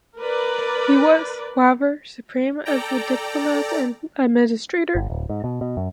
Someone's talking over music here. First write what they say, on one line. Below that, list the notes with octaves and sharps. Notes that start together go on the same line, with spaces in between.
He was, however, supreme as a diplomat and administrator.
A#4 B4 D5
A4 D5 G5 A#5
G1
D1
G#2
B2
B2
F#2